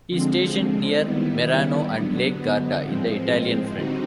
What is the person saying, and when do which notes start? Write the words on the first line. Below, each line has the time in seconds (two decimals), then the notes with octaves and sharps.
He stationed near Merano and Lake Garda in the Italian Front.
0.10 D3 F3 G#3 C4
1.00 D#3 G3 B3 E4
1.91 D3 F#3 B3
2.83 A2 F3 G#3 C4
3.74 D3 G3 C4 D#4 F#4